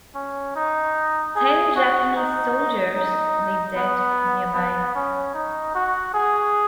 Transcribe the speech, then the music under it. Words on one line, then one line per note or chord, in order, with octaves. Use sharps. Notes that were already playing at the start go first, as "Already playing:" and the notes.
Ten Japanese soldiers lay dead nearby.
C#4
D#4
G#4
F#4
D#4
D#4
B3
B3
C#4
D#4
F#4
G#4